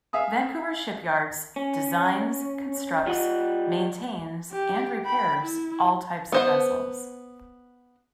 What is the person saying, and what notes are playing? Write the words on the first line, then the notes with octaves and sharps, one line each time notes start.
Vancouver Shipyards designs, constructs, maintains, and repairs all types of vessels.
E5 F5 G#5 D#6
C#4
G3 F4 D#5 F#5
G4
G5 B5
E4
B3 C5 F#5